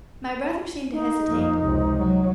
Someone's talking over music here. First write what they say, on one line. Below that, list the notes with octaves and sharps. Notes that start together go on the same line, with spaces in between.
My brother seemed to hesitate.
D#4
F2 A#3
C#2 C3
F#3